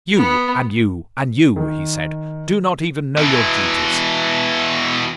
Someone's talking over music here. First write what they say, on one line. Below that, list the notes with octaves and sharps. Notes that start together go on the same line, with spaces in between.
'You, and you, and you,' he said, 'do not even know your duties.
B3
D#3
B2 E3